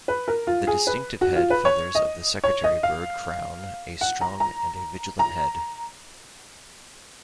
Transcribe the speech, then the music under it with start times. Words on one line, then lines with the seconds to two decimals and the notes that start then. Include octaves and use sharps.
The distinctive head feathers of the secretary bird crown a strong and vigilant head.
0.08 B4
0.28 A#4
0.47 F4
0.67 G#4
0.87 B4
1.21 F#4
1.36 F4
1.50 B4
1.65 C#5
1.95 D#5
2.44 C#5
2.64 D#5
2.83 F5
4.01 F#5
4.21 A#5
4.40 A#5
5.19 A#5